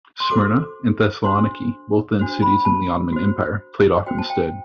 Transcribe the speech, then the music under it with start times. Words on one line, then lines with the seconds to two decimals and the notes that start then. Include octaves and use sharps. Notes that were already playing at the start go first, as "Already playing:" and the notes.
Smyrna and Thessaloniki, both then cities in the Ottoman Empire, played off instead.
0.20 C6
0.31 F#4 A4 C5 D6
1.24 D4 F#4 C5 C6
2.19 D4 F#4 C5
2.42 B5
2.60 B5
2.65 A5
3.12 F#4 C5
4.06 F#4 C5 G5
4.18 A5
4.30 G5